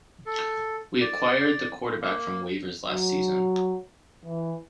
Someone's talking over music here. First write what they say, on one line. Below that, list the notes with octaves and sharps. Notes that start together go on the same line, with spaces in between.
We acquired the quarterback from waivers last season.
A4
D5
A#3
F#3
E3